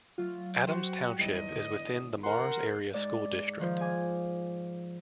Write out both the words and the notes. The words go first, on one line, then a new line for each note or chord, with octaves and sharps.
Adams Township is within the Mars Area School District.
F#3 A3 F4
F#4 C5 G5 A5
G#1 E2 G3 D#5
D3 B3 D#6 G#6
A#4 F#5 C6
G#2 D5
D#3 F3
G#4 G#5 D6